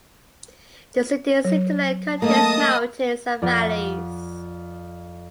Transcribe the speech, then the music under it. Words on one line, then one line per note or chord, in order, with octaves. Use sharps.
The city's hinterland contains mountains and valleys.
F#3
A3 A#3 D#5 A5 D#6
F2 F4 D5 F#5 G6